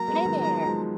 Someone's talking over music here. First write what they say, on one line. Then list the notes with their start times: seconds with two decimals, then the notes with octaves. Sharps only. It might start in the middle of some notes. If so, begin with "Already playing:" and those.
Hey there.
Already playing: F#3 A#3 A#5
0.08 G#3 B3
0.25 D#3 F#3
0.41 F3 G#3
0.66 F3 G#3